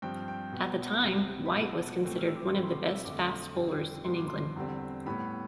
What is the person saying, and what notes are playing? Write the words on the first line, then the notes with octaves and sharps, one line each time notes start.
At the time, White was considered one of the best fast bowlers in England.
G2 F3 C4 G5
G5
B2 B3
E2 C3 G3 C4
B5
B2 B3 A5
A2 E3 A3 C4
F6
E6
D6
C6
B2 A3 C4 B5
C6
D6
E6
F2 D3 A3 D6
F2 D3 G3 C4
G2 F3 B3 C6
D6
C6
E2 D3 G3 C4
A2 G3 B3 B5